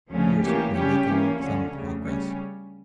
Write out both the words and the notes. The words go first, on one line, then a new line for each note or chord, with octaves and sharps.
We are certainly making some progress.
D2 C#3 F3 A3 C#4
E3 A#3 C#4 G4
C#3 G3 C#4 G4
E3 A#3 C#4
D2 D3 F3 C#4
D2 C#3 G3
C#3 G3 C#4